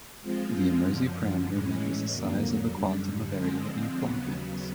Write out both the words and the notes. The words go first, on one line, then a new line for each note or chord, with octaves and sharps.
The Immirzi parameter measures the size of the quantum of area in Planck units.
F3 G#3 C4 F4
F#2 D3 F3
A2 E3 G#3 C#4
F2 D3 F#3 A#3
F#2 D3 G3
D3 F3 G#3 C4
D#2 C#3 F#3 B3